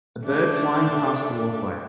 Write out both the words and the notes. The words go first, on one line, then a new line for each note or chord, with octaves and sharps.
A bird flying pass the walkway.
A3 D4